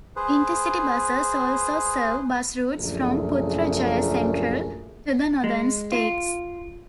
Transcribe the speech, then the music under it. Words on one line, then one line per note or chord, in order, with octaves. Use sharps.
Intercity buses also serve bus routes from Putrajaya Sentral to the northern states.
G#4 B4 C5
A#1 F#2 C#3 A3 G#4 A#4
G#3
F4